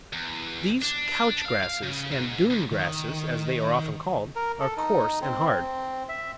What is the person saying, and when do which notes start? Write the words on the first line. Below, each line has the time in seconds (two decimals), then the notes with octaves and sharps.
These Couch Grasses and Dune Grasses, as they are often called, are coarse and hard.
0.13 E2
0.82 D4
1.45 F5
1.63 F5
1.83 C#3
2.11 G#2
2.50 D2
2.71 D#3
4.36 A#4
4.60 A4
4.77 D#4
5.22 C4
5.50 C4
6.09 E5